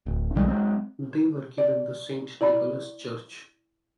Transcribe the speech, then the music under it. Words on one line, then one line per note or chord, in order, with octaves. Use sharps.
They were given the Saint-Nicholas church.
D1
B1 D#3 G3 G#3
F#3 G#3 C4
D5
E4 D5 A#5 B5